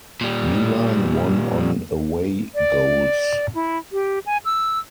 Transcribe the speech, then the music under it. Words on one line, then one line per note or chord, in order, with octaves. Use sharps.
Milan won on away goals.
A#2 G3
D5
E4
G4
G#5
E6